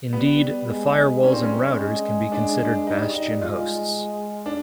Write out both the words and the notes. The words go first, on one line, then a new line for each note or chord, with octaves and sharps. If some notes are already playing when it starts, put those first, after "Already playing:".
Indeed, the firewalls and routers can be considered bastion hosts.
G3 B3
G#3
G3 C#4
C4
C#4
G#3
D4
D4
G3 D#4
D#4
G#3 F4
D4